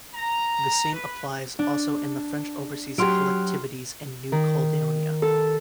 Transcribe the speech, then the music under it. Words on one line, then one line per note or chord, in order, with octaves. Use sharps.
The same applies also in the French overseas collectivities and New Caledonia.
A#5
B4
D4
F#3 F#4 G4 C6 F6 D7
D#3
A4